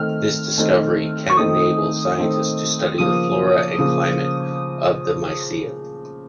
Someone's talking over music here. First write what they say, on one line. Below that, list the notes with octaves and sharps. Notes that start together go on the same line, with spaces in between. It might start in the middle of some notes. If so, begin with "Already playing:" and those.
This discovery can enable scientists to study the flora and climate of the Miocene.
Already playing: D#3 A3 C4 D#4 F6
D#3 A3 C4 D#4
C#6
D#3 A3 C4 D#4 D#6
D#3 A3 C4 D#4
C#3 F3 A#3 D#6
C#3 F3 A#3